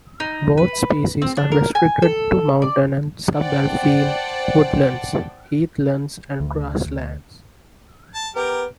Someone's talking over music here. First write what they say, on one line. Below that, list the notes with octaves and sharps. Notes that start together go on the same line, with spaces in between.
Both species are restricted to mountain and sub-alpine woodlands, heathlands and grasslands.
D#4
B4
C4
D4
A#4
G#5
A4
D5
C5 D5 F#5 G5 A5
D2
A5
B3 G4 A#4